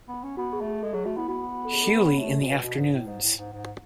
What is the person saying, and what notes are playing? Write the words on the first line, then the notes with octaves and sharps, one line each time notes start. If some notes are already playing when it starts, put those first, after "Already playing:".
Hughley in the Afternoons.
B3
C#4
B3 F#4
G#4
A3
G#4
G#3 A4
F#3 G#4
A3 F#4
B3 E4
B3 F#4
A4
G#4
A4
B4
C#5
A3 C#5
A4
B2
B4
B2
G#2
A2
G#2 D#5
A2
G#2
G#2 F#5